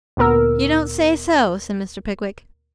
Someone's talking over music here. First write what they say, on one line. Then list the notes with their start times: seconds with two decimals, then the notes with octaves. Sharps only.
'You don't say so?' said Mr. Pickwick.
0.17 D2 A#2 B3 A#4 E6